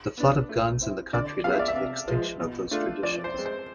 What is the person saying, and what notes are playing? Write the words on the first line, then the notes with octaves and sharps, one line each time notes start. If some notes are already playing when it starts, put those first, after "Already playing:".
The flood of guns in the country led to the extinction of those traditions.
B3 D4
A3
C4 E4
D3 D5
G#3 B3 F4 G#4 F5
E5
D5
E5
C3
F3 G#3
B2
A3 D4 F4
F3 D5
C5
G#3 C4
C5